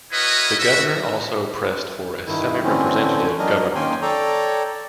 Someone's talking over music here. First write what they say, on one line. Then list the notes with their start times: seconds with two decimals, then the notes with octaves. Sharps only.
The governor also pressed for a semi-representative government.
0.13 E4 F#4 A#4 B4 C#5 D#5
0.59 F#4 E5
2.27 G2 D#3 E4
2.63 D3 E3 A3 C4 C#4
3.39 F#3 D4 A#4 D#5
3.75 D#3 A#3 C#4 G5 G#5 C6
4.02 A4 C#5 D5 G5 A#5